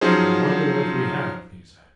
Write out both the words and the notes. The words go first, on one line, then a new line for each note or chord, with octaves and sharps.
"I wonder if we have?" he said.
F3 F#3 C#4 D#4 G#4 C5